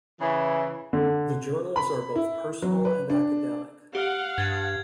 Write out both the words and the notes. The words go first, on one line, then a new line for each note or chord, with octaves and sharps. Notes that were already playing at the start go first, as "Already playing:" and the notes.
The journals are both personal and academic.
C#3 E3
D3
B5
E4
F#3
B4
D4
G4 F5 F#5
G2 G#6 A6